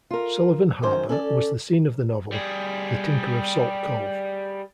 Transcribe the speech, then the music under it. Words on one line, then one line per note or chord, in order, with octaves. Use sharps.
Sullivan Harbor was the scene of the novel "The Tinker of Salt Cove".
F4 A#4
F#2 D#3 C#4 C5
C#4 A4 D5
G3 G#4